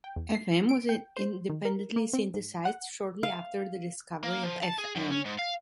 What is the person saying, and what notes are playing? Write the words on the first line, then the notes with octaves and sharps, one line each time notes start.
Fm was independently synthesized shortly after the discovery of Fm.
G5
E2
C7
D7
G5
C5
D#3
A#4
A#3
C4
G#2
F#5
F5
A#3
F3
A5
G#4
F#2
C#4
G#2
F5